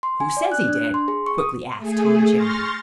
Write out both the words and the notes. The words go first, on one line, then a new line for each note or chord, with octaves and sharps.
"Who says he did?" quickly asked Tom Channing.
C6
G#5
D5
F#6
D4
C6
G#4
C#6
D#6
A3 G#4
C6 C#6 F6 G6 A6 A#6